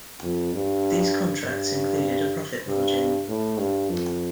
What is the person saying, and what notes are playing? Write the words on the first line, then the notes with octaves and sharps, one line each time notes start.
These contracts included a profit margin.
F2
G2
G2
G2
A2
G2
F2